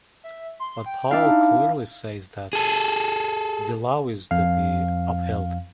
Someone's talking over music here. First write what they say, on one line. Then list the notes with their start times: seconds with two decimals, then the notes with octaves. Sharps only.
But Paul clearly says that the Law is to be upheld.
0.24 E5
0.60 C6
0.86 G5
1.11 D4 E4 F5
1.27 D#4
2.53 G#4 A4
4.31 F2 F5